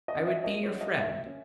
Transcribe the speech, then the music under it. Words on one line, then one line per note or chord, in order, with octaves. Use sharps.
I would be your friend.
D#5
C#4
E5
A#3 D#5
C#5
F#3
D#5
A#3 E5
C#4